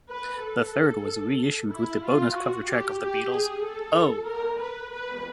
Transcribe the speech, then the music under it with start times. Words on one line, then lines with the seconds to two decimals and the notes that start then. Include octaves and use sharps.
The third was reissued with the bonus cover track of The Beatles' Oh!
0.11 B4
0.42 A4
1.70 E4
2.03 F4
2.34 F#4
2.67 G4
2.99 G4
3.31 G#4
3.63 A4
4.26 A#4
4.58 B4
4.91 B4